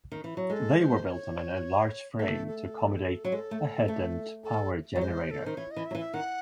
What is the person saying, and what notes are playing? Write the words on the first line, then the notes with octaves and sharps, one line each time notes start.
They were built on an enlarged frame to accommodate a head-end power generator.
D#3
E3
F#3
G#3 A4
C#5
C5
D#5
C#5
A3 A4
A4
F#3
G#3 A4
A3
A3
A4
F#3
G#3 C5
A4
D#3 C5
E3 C#5
D#5
E3
E5
F#3
E3
E5
D#3 F#5